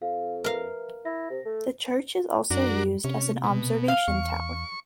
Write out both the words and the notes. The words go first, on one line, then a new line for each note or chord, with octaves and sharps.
The church is also used as an observation tower.
F2 F5
A#4 B4 E5 F5
E4 A#6
C3
A3
F#2 D4 F#4 A#4
C3 C#4
B2
F5
E2 C#6